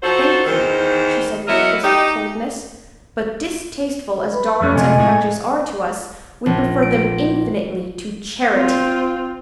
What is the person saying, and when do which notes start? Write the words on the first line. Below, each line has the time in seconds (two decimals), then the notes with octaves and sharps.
"Thank you," she said with crisp coldness; "but, distasteful as darns and patches are to us, we prefer them, infinitely, to--charity!"
0.03 F3 D#4 F#4 A4 C5
0.46 E2 D#3 C5
1.47 F#3 B3 E4 A#4 D#5 E5
1.83 D#4 G4
4.33 B4 B5
4.61 F2 G3 C#4 F#6
4.75 C3 F3 A3 D#5 G#5 G#6
4.98 A2 G#3 A3
6.46 A#1
6.82 D7
8.54 C4 F4